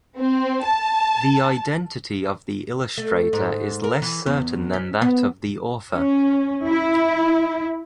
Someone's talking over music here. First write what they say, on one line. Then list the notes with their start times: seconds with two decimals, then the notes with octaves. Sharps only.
The identity of the illustrator is less certain than that of the author.
0.19 C4
0.63 A5
2.98 A3
3.33 G#2
3.84 A#4
4.02 E3
4.26 E2
4.73 C#4
5.02 B3
5.94 C#4
6.67 E4